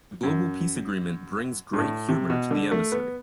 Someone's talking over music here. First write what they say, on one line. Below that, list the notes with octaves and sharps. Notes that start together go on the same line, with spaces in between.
The global peace agreement brings great humour to the emissary.
F#2
G2
A2
C3
B2
D3
A3
B3